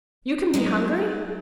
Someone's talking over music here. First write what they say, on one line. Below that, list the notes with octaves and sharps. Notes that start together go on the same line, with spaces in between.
"You can be hungry?"
F#3 G#3 D#4 E4